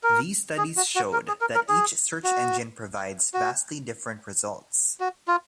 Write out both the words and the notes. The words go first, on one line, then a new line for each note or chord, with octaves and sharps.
These studies showed that each search engine provides vastly different results.
A#4
G#4
F#4
F#4
A#4
G#4
A#4
A#4
G#4
F#4
F#4
F#4
F4